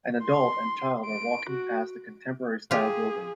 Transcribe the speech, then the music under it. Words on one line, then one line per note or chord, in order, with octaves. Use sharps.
An adult and child are walking past a contemporarystyle building.
C6
D7
F#4
F4 G4 G#4